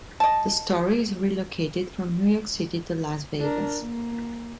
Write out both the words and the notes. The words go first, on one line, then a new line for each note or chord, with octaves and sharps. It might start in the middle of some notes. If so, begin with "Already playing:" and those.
The story is relocated from New York City to Las Vegas.
D#5 A5
D4 A#4
A#3